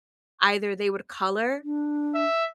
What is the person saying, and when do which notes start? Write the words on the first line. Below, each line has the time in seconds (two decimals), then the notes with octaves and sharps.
either they would color
1.64 D4
2.15 E5